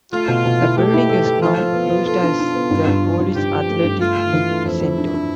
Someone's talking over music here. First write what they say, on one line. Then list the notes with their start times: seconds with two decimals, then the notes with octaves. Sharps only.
The building is now used as the Police Athletic League Center.
0.13 A3 F4
0.28 B2
0.45 B2
0.61 E4
0.77 A3 G4
0.93 E4
1.09 A3
1.26 A3
1.42 F3 F4
1.57 F3
1.73 B3
1.90 B3
2.06 F4 A4
2.22 D4
2.39 D4
2.55 B3
2.71 G2
2.87 G2
3.03 F3
3.19 G2
3.36 G2 G4
3.51 F3
3.68 A3
3.84 G2
4.00 A3 F4
4.16 A3
4.33 E3
4.49 A3
4.65 F2 E4
4.81 F2
4.98 D4
5.14 D4